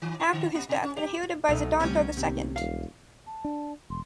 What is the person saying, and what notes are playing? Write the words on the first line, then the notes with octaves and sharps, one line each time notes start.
After his death, inherited by Zidanta II.
D#3
E4
D3
A#2
B2
C#4
G4
C2 B2 F#3 A3 D#4
D2 C3 G3 C#4
D#2 C3
E1 F5
A5
D4
E1 C6